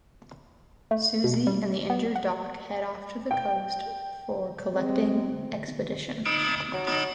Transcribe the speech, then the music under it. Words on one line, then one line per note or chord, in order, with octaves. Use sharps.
Suzy and the injured Doc head off to the coast for the collecting expedition.
A3
B2
G3
B3
F#5
G5
G3 G#3 C4
F#3